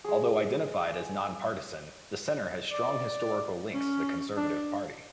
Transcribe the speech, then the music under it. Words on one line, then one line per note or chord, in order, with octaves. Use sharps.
Although identified as non-partisan, the Centre has strong historical links to the Conservative Party.
G#3 G#4
D5
C#4
D4